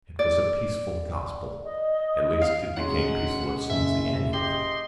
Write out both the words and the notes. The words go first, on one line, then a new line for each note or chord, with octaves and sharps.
It was a peaceful Gospel; at least, it became peaceful as soon as the end had come.
D5
D#5
F5
A#2 F#3 G#3 B3 C#4 F#5
F#1 E5
G4 D#5 C6